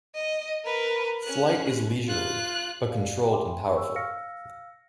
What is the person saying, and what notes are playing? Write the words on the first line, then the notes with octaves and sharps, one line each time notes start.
Flight is leisurely, but controlled and powerful.
D#5
A#4 B4
C#4 F#6
F4 F#6
D5 F5
E5 G5 G#5 B5 C6 D6
C#5 C#6 E6
F5 E6 F6 A#6 C#7